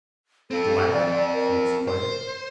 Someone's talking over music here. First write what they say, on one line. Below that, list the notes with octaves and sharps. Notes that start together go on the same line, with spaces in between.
"Glad!" she exclaimed.
C4 F4 A4
D5
A#4
C5